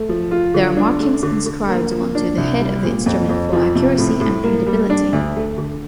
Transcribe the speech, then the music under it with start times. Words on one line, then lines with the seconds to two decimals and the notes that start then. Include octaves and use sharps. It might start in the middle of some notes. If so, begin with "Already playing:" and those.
There are markings inscribed onto the head of the instrument for accuracy and readability.
Already playing: A3
0.09 F3
0.31 F4
0.54 D3
0.77 D4
1.00 A3
1.23 D3
1.46 D3
1.68 A#3
1.91 F3
2.15 D4
2.38 C2
2.60 G3
2.84 A#2
3.06 F2
3.29 F2
3.53 F3
3.75 C3
3.98 A2
4.20 A2
4.44 A#3
4.67 G3
4.90 D4
5.13 D2
5.36 A3
5.58 D3